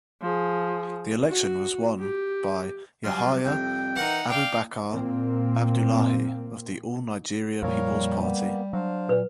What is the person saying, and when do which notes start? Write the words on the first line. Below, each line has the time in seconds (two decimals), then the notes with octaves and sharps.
The election was won by Yahaya Abubakar Abdullahi of the All Nigeria Peoples Party.
0.22 F3 G#4
1.29 F#4
1.99 G4
3.04 F#3 G3 D4 F4
3.45 C2 F2 G5
3.96 E3 D#4 A#4 F#5 C#6
4.30 D4 F5 G5
4.91 A#2 A#3 C4
7.63 F2 A#2 G3 A#4 C#5 F5
8.20 A#3 B3
8.73 F#3 D4 C5 F5
9.09 A#2 B4